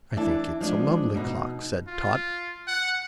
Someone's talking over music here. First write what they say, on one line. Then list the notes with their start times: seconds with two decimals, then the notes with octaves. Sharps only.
"I think it's a lovely clock," said Tot.
0.16 E3 D4 E4 A5
0.61 F3 G#3 D4
1.15 B2 D#4
1.87 F4
2.67 F#5